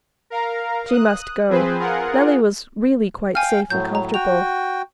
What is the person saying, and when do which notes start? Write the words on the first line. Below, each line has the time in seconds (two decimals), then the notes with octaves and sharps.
She must go. Nellie was really quite safe and comfortable.
0.30 A#4 F5 A#5
0.88 D#6 F#6
1.49 F3 C4 G#4 B4 C5
1.79 F4 G#4 A#4 F#5
3.35 F5 G5 G#5 F6
3.70 A2 F#3 G6
3.95 A#5
4.14 F#4 G5 F7